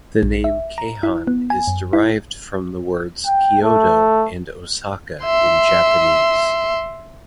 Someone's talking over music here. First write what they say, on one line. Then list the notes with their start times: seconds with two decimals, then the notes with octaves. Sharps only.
The name Keihan is derived from the words Kyoto and Osaka in Japanese.
0.22 A#1
0.44 E5
0.78 A#5
1.03 E4
1.27 B3
1.50 G#5
1.68 F#2
1.93 E4
3.27 G5
3.62 A3
5.25 E5 C6